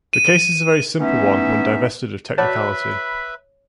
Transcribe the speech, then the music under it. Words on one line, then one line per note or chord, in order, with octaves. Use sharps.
The case is a very simple one, when divested of technicality.
D#7
E3 A3 B3 C#4 D#4 E5
F#4 B4 C#5 D5 E5 A5 B5